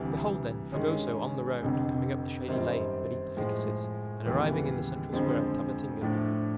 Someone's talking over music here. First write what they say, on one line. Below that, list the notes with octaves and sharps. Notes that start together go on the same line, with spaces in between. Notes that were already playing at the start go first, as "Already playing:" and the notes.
Behold, then, Fragoso on the road, coming up the shady lane beneath the ficuses, and arriving in the central square of Tabatinga!
Already playing: D2 C3 E3 G3
G2 D#3 G#3 C#4
F1 F2 D3
F#2 D#3 G3 C4
A2 F3 G#3
D#2 C#3 E3 G3 B3
F2 D3 F3 G#3
A2 F3 A3 D4